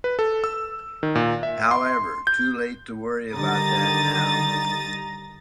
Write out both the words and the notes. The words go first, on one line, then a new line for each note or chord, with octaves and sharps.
However, too late to worry about that now.
B4
A4
E6
D#3
A#2
E5
C6
G6
D3 D#3 G3 A#5 D#6 A6